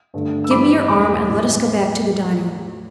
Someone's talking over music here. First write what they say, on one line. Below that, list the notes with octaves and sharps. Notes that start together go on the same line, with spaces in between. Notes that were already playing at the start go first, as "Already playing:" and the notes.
Give me your arm and let us go back to the dining-room.
G2 D3 A3
E6
G2 E3 G3 B5 D6
E2 B2 A3 B5 D6
A2 E3 G3